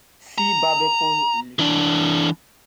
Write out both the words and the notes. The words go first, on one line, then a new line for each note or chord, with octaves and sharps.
See Barberpole illusion.
A#5
E3 D4